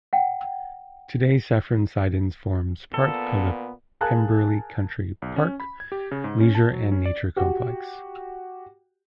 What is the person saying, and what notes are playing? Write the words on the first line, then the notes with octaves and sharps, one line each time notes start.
Today Cefn Sidan forms part of the Pembrey Country Park leisure and nature complex.
F#5 G5
A#2 B3 A4
G#4 A#4 F5 G#5 A5 F#6
B1
C#4
B5
G#6
G4
C#3
G#2
C#4
A5
F#3
C#4
D5
F#4 G4